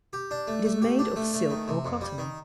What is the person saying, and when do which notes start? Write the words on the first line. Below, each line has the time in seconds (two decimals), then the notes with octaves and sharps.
It is made of silk or cotton.
0.13 G4
0.31 D4
0.47 A3
0.65 A3
0.82 G4
0.99 D4
1.16 A3
1.34 A3
1.50 D#3
1.68 C3
1.85 F2
2.01 G3
2.18 D#3